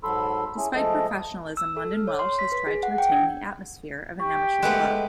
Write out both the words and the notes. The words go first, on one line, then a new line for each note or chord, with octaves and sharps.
Despite professionalism, London Welsh has tried to retain the atmosphere of an amateur club.
G#2 F#3 A4 B5 C6 E6
C#4 E4 G#4
F3 G#3 A3 A4 D#5
E6
A4
F6
C#5
C6
B6
B4
G#4
F#5
G5
D4
G4 C#6
G#3 A3 B3 G5 F#6